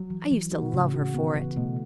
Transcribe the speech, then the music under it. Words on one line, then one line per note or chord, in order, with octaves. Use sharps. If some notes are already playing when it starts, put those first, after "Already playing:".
I used to love her for it.
Already playing: F#3
E3
E3
F#4
B2
A2 C#3
F#4
B3
E3
B2 A3